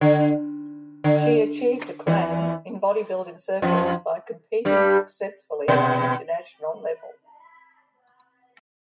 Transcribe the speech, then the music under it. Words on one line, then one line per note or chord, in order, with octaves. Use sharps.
She achieved acclaim in bodybuilding circles by competing successfully at the international level.
D3
D3
E2 E3
F2 F3
G2 G3
B2 B3